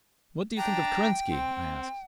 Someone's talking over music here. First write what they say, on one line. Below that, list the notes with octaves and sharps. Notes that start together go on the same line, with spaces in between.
"What do you think of Kerensky?" I asked.
D4 G5 A5 A#5
C4